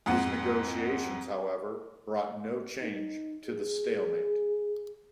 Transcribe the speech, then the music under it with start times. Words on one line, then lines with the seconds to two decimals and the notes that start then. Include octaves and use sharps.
These negotiations, however, brought no change to the stalemate.
0.06 F2 G#2 F#5
2.82 D#4
3.47 G#4